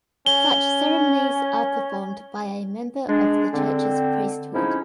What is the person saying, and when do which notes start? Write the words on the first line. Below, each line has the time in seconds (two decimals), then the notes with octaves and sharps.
Such ceremonies are performed by a member of the church's priesthood.
0.26 C#4 G7
3.08 G#3 D4
3.53 D3 C4
4.53 F3 G#3 C#4 D#4 E4